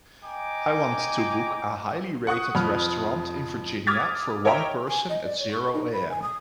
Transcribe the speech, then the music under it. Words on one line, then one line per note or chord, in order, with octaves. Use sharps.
I want to book a highly rated restaurant in Virginia for one person at zero am.
D#5 G5 G#5 A#5 D6
F#5 C#6 D#6 F#6
F2 B5 D#6 F6
D6 D#6 F6 G#6 A6 B6
A#4 C#5 D#5 E5 G5 A#5
G#5
D#5
D5
C#5
C#6
D#4
B5
G#5
D#6